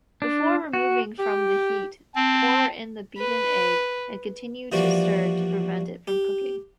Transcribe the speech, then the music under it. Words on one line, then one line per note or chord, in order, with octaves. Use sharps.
Before removing from the heat, pour in the beaten egg and continue to stir to prevent it from cooking.
D4
F#4
G4
C4 A5
B4
E3 F3 G3 A#3 D4 F#4
G4